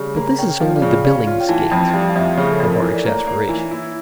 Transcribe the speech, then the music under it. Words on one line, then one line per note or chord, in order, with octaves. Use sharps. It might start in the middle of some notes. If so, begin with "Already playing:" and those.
But this is only the Billingsgate of our exasperation.
Already playing: C#3 G3
A#3
C#4 G5
F3 F5
D5
C#3
F5
C#4
F4
G5
E3 A5
F2 G5
G3 F5
F5
F2 E5
C#3 C#5
A4
F2
A#4
E3 C#5
D5
A#3 C#5
A#3
E3
E4